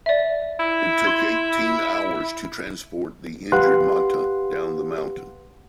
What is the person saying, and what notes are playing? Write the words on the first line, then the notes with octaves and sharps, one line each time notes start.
It took eighteen hours to transport the injured Mata down the mountain.
D5 E5
E4
C6 G#6
G4 B4 F5 F#5 C6 F#6